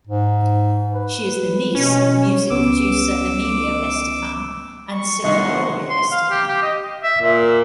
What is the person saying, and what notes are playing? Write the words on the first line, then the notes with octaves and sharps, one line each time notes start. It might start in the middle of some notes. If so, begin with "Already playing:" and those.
She is the niece of music producer Emilio Estefan and singer Gloria Estefan.
G#2
B4
B2 C#4
C#2 B3 C#4 D6 E6
C#6
C2 D#3 D#5 E5 F#5 C6
C6
F5
G4
G4
D#5
E5
A#2